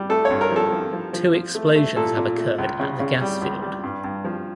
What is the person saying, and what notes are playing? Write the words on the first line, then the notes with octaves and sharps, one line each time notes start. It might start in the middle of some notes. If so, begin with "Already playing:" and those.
Two explosions have occurred at the gas field.
Already playing: G3
A3 A4
C#5
G2
A#4
F3
A4
F3
F3
F3
F3
A3
A3
A#2 A4
A#2
A3
C#2
C#3
C#3
G3
C#2
G3
G2
G2
F3